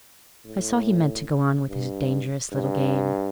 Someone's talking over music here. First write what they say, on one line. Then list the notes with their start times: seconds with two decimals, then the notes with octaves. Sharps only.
I saw he meant to go on with his dangerous little game.
0.45 A2
1.68 G2
2.52 G2